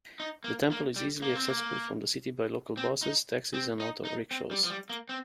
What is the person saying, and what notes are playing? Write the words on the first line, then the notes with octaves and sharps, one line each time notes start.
The temple is easily accessible from the city by local buses, taxis and auto-rickshaws.
D#4
A#3
A#3
G3
A#3
C4
A#3
C4
D#4
C4
D#4
D#4
C4
G3
F3
G3
A#3
C4